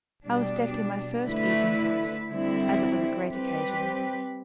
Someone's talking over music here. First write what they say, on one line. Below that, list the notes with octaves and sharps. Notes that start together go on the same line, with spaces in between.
I was decked in my first evening dress, as it was a great occasion.
B2 G3 D4
D3 A3 E4 B4
D3 G3 C4 E4
G3 C4 G4 B4